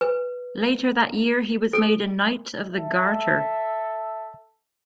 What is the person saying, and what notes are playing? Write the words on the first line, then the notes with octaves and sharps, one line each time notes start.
Later that year he was made a Knight of the Garter.
B4
A4
A4 E5